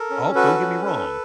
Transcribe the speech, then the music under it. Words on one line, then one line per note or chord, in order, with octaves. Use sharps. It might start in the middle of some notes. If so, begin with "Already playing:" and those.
Oh, don't get me wrong,
Already playing: A4 A#4
C#4
F#4 A4 B4
C#4
A4